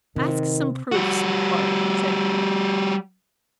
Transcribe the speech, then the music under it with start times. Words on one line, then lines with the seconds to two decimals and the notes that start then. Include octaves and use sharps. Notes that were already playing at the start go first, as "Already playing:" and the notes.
'Ask some proof, sweetheart,' said he.
0.16 C3 D#3
0.92 G3 F#4